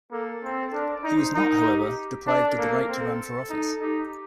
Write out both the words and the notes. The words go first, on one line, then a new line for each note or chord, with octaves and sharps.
He was not, however, deprived of the right to run for office.
A#3 A4
C4
A4
D4 A#4
D5
D#4
C5
D#4 A#4
G4
G4
D4 A4
A#4
A#3 A4
A#4
C4
A4
D#4
D#4 G4